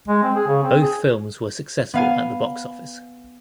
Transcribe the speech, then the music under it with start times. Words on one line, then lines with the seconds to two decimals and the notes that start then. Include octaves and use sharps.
Both films were successful at the box office.
0.08 G#3
0.23 C4
0.35 G#4
0.47 C#3
0.63 C4
0.81 G#4
1.94 B3 F5 G#5